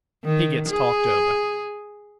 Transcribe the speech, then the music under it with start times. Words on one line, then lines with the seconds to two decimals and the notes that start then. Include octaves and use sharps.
He gets talked over.
0.24 D#3
0.69 G#4